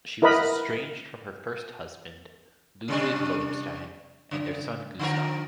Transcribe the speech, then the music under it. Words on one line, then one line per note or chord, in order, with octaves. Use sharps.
She was estranged from her first husband, Ludwig Lowenstein, and their son Gustaf.
E4 A#4 B4 D#5 B5
C3 G3 D4
C#3
D3 F3 A#4